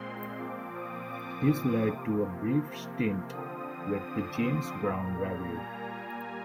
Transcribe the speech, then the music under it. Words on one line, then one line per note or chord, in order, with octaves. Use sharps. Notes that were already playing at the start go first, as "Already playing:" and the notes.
This led to a brief stint with The James Brown Revue.
Already playing: A#2 G#3 C4 C6
A#2 F3 C4 D6
D#6
D6
C3 F3 A#3
D3 F3 C4 D#6
D6
C6
A#2 G3 A#3 A#5
G#5
G#5